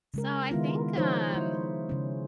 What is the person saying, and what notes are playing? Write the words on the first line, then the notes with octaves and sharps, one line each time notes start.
So, I think, um
C#3 G#3 A#4
D#3 G#3 B3 E4 F4
F3 D#4 F4 C5 C#5
E4
C#3 C#4